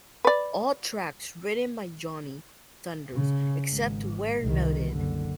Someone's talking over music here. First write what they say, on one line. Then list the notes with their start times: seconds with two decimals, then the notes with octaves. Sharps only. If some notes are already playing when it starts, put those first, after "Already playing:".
All tracks written by Johnny Thunders, except where noted.
0.25 B4 D5
3.13 C#3
3.69 G#1 G#2
4.41 C2 D#3
4.92 F#1 D3